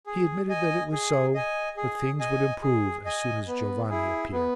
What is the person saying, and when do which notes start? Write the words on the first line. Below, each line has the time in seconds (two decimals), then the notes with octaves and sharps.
He admitted that it was so, but things would improve as soon as Giovanni appeared.
0.06 G#4
0.49 D#5 G#5
0.92 G#4
1.34 D#5 G#5
1.77 G#4
2.20 D#5 G#5
2.62 G#4
3.06 D#5 G#5
3.48 B3
3.90 E4 G#4
4.32 B3